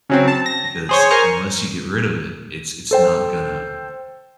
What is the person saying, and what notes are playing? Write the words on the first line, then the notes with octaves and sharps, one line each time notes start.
because unless you get rid of it, it's it's not gonna
C#3 F#3 C4
A5
A#6
G#4 C5 C#5
A#4 C5 G#5 A#5 C#6 F6
A4 C5 G5